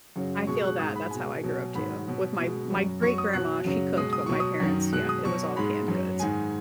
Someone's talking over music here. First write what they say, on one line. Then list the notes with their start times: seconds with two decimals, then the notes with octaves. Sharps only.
I feel that, that's how I grew up too, with my my great grandma, she cooked, but my parents yeah, it was all canned goods.
0.16 F#2 C#3 F#3
0.47 B2 G#3 C#6
0.64 F#6
0.79 G#2 G#3 D#6
0.96 B5
1.11 B2 G#3 G#5
1.43 B2 F#3
1.75 G#2 D#3 F#3 B5
2.07 B2 F#3
2.39 B2 G#3
2.70 F#2 F#3
3.01 F#2 F#3 C#6
3.18 D#6
3.33 B2 F#3 F#6
3.65 F#2 C#3 F#3
3.97 B2 G#3 D#6
4.13 D#6
4.26 B2 F#3 C#6
4.40 D#6
4.60 F#2 D#3 F#3
4.93 B2 G#3 F#6
5.09 D#6
5.24 B2 F#3 C#6
5.56 G#2 G#3 B5
5.88 F#2 F#3
6.20 G#2 D#3 G#3 G#5